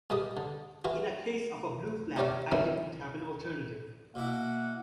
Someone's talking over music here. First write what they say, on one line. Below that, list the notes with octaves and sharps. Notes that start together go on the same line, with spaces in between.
In a case of a blue flag I didn't have an alternative.
A#2 G3 G#3 G4 D#6
D3
E3 F4 F#4
D#4 E4 G4 C#5 D5 F5
D#3 E3 F#3 C4 C#4 E4
B2 A#3 E4 F#5